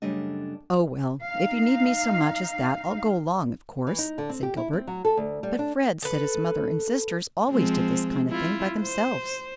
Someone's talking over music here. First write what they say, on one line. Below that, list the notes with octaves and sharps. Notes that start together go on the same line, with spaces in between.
"Oh, well, if you need me so much as that I'll go along, of course," said Gilbert, "but Fred said his mother and sisters always did this kind of thing by themselves."
F#2 C#3 G3 A3 D4 D#5
D#4 F5
E3
D#4
D3
C4
G4
E4
C4
F#3
A4
D2
G3
D4
A4 B4
F3 G#3 C4
E4 F4
C5